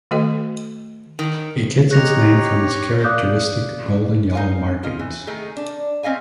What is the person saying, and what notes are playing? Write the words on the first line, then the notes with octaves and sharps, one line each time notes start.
It gets its name from its characteristic golden yellow markings.
D#3 A3 F#4 A4 D#5 G5
D#3
D#4 G4 C#5 F#6 A#6 F7
D5 F5 D6 D#6 F#6 G6
D#4 F5 G#5
F4 D#5
E3
D#3 A3 D#4 G#4
D4
C4 C#4 D#5 F5 G#5